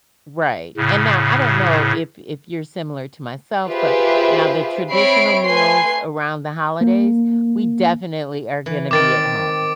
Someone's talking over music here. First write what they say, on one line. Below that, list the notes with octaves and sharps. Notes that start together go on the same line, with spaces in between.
Right, and now, I don't know if if you're similar to myself, but now the traditional meals around the holidays, we definitely are gonna be at home.
A2 C#3
F4 G4 G#4 B4 C5 E5
C4 C#5 E5 B5 C7 D7
A3 B4 G#5 C6 C7
A#3
E3
D#3 C4 D6 A6 D7